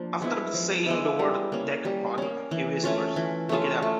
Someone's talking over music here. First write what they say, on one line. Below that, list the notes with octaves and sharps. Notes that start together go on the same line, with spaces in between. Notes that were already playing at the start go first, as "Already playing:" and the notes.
After saying the word Decapod, he whispers "look it up".
Already playing: F3 A#3 D4
G#3 B3 E4
F3
G#3 B3 E4
G3
A#3 C#4
G3
A#3 C#4
E3
A3 C#4 F4
E3
A3 C#4 F4
A3